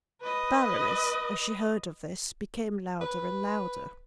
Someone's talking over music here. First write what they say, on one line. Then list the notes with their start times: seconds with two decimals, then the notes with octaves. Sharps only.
The Baroness, as she heard of this, became louder and louder.
0.21 B4 D#5
3.01 B4